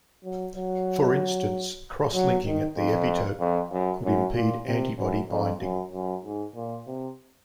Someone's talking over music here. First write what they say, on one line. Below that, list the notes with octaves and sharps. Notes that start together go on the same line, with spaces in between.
For instance, cross-linking at the epitope could impede antibody binding.
F#3
F#3
F#3
D#3
F2
F2
F#2
F#2
A#2
C3
F#2
F2
F#2
F#2
G#2
A#2
C3